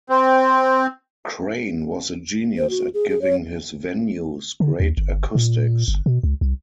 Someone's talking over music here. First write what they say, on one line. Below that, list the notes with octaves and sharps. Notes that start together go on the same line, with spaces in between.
Crane was a genius at giving his venues great acoustics.
C4
C5
F#4
G#4
G#4
C#5
D3
D#2
G1
A#2
G1
B2
C#2
C2